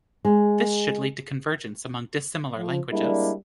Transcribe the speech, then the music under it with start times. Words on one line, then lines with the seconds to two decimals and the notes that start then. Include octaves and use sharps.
This should lead to convergence among dissimilar languages.
0.25 G#3
2.57 F3
2.92 G3 G#3 A#3 D4 E4